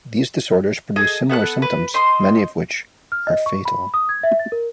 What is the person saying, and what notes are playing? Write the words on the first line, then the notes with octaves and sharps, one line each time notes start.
These disorders produce similar symptoms, many of which are fatal.
G#4 A4 D#5
B3 A4 F#5 F#6
B4
C5 D#5 C6
F6
D#5
C#6
B5
D#6
G#6
E5
A6
A#4